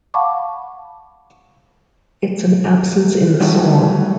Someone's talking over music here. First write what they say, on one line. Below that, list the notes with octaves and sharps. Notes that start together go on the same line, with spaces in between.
It's an absence in the soul.
F5 F#5 A5 B5 C#6 D6
F#3 G3 A3 D#4 F#4